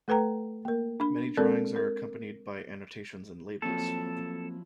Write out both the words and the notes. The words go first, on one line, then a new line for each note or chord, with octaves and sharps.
Many drawings are accompanied by annotations and labels.
A3 A4 B4 G5 A#5
A#3 A#4
D4 B5
G#3 C4 A4 A#4 D5
A#4
F3 F#3 A#3 C4 E4 A4